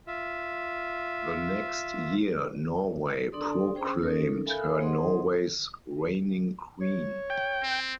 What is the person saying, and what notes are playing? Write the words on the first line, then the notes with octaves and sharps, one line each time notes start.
The next year Norway proclaimed her Norway's "reigning queen".
F4 E5
D4 A4 D5 C6 D#6
C#4 G#4 C5 G5
C#4 D#4 A4 A#4
A4 A#4 E5 F5 G#5 B5
D#4 G#4 C5 D#5 F#5 C6
C#5
G5
C4